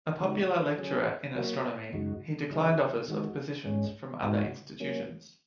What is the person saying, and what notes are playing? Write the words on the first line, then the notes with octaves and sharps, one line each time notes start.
A popular lecturer in astronomy, he declined offers of positions from other institutions.
C#3 G#3 D#4 F#4
F#3 C#4 G#4
F#3 A#3 F#4
F#2 C#3 G#3 D#4 F#4
C#3 F#3 D#4 G#4
D#3 G#3 F#4
G#2 G#3 C#4
G#2 G#3 D#4 F#4
F#3 A#3 C#4